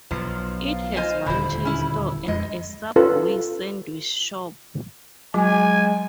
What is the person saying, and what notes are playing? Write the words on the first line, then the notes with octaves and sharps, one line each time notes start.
It has one chain store and a Subway Sandwich shop.
B1 F3
F5
F4 C5 D#5 G#5
D#1 D2 D3 E4 C5 B5
C#4 E4
F2 G#3 D#5
C#4 F4 A4 B4
F#3 G#3 G#5